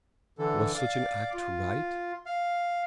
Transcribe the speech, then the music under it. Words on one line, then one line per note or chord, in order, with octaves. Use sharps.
Was such an act right?
D3 E3 A4
D5 F5 D6
F4
F5